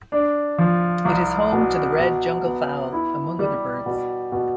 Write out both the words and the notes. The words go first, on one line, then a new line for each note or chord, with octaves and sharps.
It is home to the red jungle fowl among other birds.
D4
F3
C2
B2
B2
B3
E4
G3
B2
B2